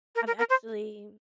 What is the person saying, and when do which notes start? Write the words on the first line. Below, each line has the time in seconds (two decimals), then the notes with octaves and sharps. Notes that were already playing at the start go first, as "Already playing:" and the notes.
I've actually
0.16 A#4
0.27 A#4
0.39 A#4
0.50 C5